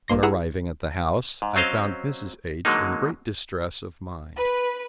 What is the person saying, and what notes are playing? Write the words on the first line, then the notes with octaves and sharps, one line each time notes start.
On arriving at the house, I found Mrs. H-- in great distress of mind.
A#1 A#3 C6 A#6
E4 G#4 F#5 A#5 E6
G#2
F#3 C4 C#4 C5 D#5 F5
D3 F#3 G#3 A#3 D#4
B4